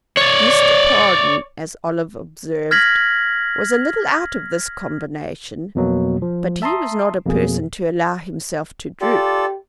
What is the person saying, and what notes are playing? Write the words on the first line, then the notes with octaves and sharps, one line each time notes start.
Mr. Pardon, as Olive observed, was a little out of this combination; but he was not a person to allow himself to droop.
C#5 D5
F6 G#6 A#6 B6 F#7
F2 B2 F#3 A#3
F3
E5 A5 A#5 C6 D#6
F2 B2 A#3 G#4
F4 G4 A4 D5